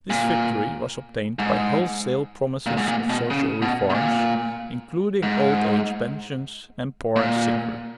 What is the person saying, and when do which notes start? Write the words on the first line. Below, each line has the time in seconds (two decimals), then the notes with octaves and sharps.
This victory was obtained by wholesale promises of social reforms, including old age pensions and poor and sick relief.
0.10 A#2
1.39 G#2
2.66 A#2
2.77 G#2
2.88 A#2
3.09 B2
3.31 C#3
3.62 B2
3.90 B2
3.94 A#2
5.23 G#2
7.16 A#2